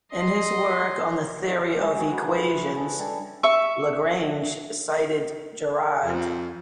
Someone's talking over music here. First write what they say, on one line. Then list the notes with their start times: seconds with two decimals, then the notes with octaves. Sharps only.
In his work on the theory of equations, Lagrange cited Girard.
0.12 D#5 C6
1.79 G3 G#3
1.95 F#4 G#4 A#4 C#5
2.11 F#3 B4
2.28 E3
2.76 G#4 A4 D#5 F#5
2.98 G3 D4 A4 G#5
3.43 E5 C#6
6.05 F2